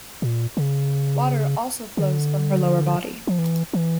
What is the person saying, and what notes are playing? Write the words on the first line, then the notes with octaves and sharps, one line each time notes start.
Water also flows from her lower body.
A#2
C#3
D3
F3
E3
E3